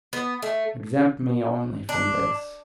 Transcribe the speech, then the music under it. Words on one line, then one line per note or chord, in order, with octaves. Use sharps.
Exempt me only from this!
B3
A3
D4